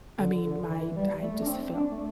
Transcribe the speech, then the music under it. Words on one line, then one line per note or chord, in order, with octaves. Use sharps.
I mean, my I just felt
D3
D3
E3
G3
A3
D4
C4
D4
A3